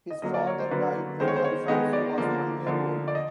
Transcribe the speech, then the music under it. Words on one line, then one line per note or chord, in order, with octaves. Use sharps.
His father died when Alfonso was one year old.
D#5
D3 F#3 A#3 D#5
D5
C#5
C5
D3 F#3 A#3 B4
D#3 G#3 B3 C5
C#5
C5
C#5
D#3 G#3 B3 D#5
D5
D3 F3 A#3
D3 F3 A#3
D5
D#5